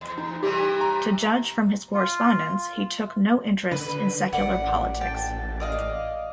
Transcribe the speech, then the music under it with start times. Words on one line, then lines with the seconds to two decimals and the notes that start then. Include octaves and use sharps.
To judge from his correspondence he took no interest in secular politics.
0.01 E2
0.18 E2 D#4
0.43 C3 E3 G3 G4
0.81 A#5
1.94 F4
3.71 D3 B4
4.33 A1 D5 F#5
5.01 G5 A5
5.60 D5 D#5 F5